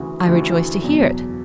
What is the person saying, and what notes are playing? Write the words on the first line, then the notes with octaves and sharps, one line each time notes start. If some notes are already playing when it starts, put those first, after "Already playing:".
'I rejoice to hear it.
Already playing: D2 C#3 E3 F#4 G#4
D2 C#3 E3 F#4
F#1 E2 B2 F#3